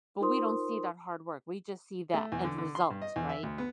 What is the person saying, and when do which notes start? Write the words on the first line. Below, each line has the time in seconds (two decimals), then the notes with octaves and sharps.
but we don't see that hard work, we just see that end result, right?
0.21 D#4 F4 A#4 C5 C6 D#6
2.14 A3
2.32 E2
2.44 D3
2.58 D3
2.75 C6
2.90 G2
3.02 D#5
3.16 E2
3.29 E5
3.43 D2
3.58 B3